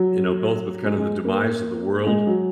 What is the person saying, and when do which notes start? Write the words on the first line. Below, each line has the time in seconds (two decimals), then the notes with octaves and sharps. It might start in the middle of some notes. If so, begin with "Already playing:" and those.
you know, both with kind of the demise of the world,
Already playing: F#3
0.84 G#3
0.98 G#3
1.25 A#3
2.07 G#3
2.27 F#3